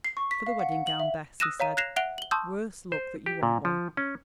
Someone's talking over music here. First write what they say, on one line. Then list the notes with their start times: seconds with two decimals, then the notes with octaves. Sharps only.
"For the wedding gown, Bess," he said; "worse luck that you want one!"
0.04 C7
0.17 C#6
0.31 B6
0.47 F5
0.59 F#5
0.72 F#5
0.87 F#7
1.00 E5
1.40 D#6 E6 F#6 A#6 D#7 E7
1.60 C#5 F5 A#5 D#7
1.77 F#6 G#6 A#6 C7 E7 F7
1.96 E5 F#5 F#6 D7 F7 G7
2.18 F#7 G7
2.31 A5 C6 C#6 D#6 E6 G6
2.92 C5
3.26 G4
3.43 A#2
3.65 F3
3.97 C#4